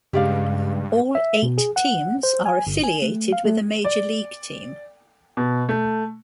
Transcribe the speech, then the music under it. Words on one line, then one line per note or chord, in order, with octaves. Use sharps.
All eight teams are affiliated with a major league team.
G2 C#3 G#3 G4 D5 F5
E5
B2
G#4
F#5
C5
G#5
G1
G#5
A3
F5
A3
D5
B2
A3